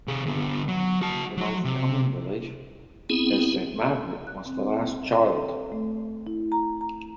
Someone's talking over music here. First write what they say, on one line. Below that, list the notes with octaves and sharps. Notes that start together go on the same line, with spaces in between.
The most common belief is that Margaret was the last child.
C3 G#4
D3 B3
F#3
F#4 A5
F#3 F#4
C3
B3 C4 E4 G#4
F#6
C4
A4
A3
E4
A#5
A#5